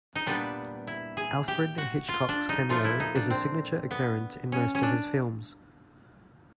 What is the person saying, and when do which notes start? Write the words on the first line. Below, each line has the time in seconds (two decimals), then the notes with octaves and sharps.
Alfred Hitchcock's cameo is a signature occurrence in most of his films.
0.15 D#4
0.26 A#2 G3 B3 D4
0.87 E4
1.17 G#4
1.48 G4
1.78 F#4
2.09 F4
2.29 D4
2.49 D#4
2.69 A#2 F3 A3 F4
2.84 E4
3.00 D#4
3.16 D4
3.30 C4
3.91 B3
4.52 C#4
4.75 C#4
4.83 D4